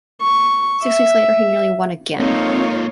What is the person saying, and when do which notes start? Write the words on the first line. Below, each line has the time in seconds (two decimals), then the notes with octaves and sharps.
Six weeks later he nearly won again.
0.22 C#6
0.83 E5
2.20 A#3 C4 D#4 F4 A4 C#5 F5